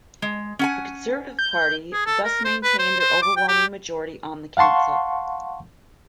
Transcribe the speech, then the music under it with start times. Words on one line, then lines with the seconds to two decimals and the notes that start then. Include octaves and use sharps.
The Conservative Party thus maintained their overwhelming majority on the council.
0.22 G#3
0.59 C#4 F#5 G#5
1.39 G6
1.93 G#4
2.06 A4
2.24 A#4
2.45 C5
2.63 B4
2.79 C5
3.00 C5
3.22 D6
3.37 G5
3.48 G4
4.57 F5 F#5 A5 C6 C#6